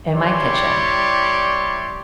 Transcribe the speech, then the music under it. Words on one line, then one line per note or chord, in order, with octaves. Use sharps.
in my kitchen
G3 E4 G4 C#5 D5 C6